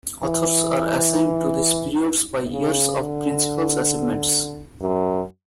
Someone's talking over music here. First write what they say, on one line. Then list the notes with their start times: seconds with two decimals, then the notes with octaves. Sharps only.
Authors are assigned to these periods by years of principal achievements.
0.24 E3
2.52 C#3
2.98 D3
4.81 F#2